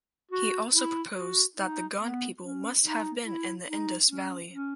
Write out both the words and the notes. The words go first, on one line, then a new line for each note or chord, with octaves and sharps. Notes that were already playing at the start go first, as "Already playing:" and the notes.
He also proposed that the Gond people must have been in the Indus Valley.
F#4
E4
F#4
D#4
B3
C#4
D#4
E4
D#4
C#4
C#4